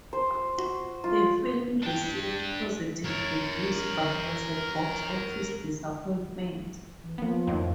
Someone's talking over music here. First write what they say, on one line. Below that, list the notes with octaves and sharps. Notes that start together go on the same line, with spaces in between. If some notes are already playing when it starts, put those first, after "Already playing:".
The film received positive reviews, but was a box office disappointment.
C5
F#4
F4
D4 G5
A#4 C#5
E3
F3 A#3 B3
F2 A2 D#3 A#3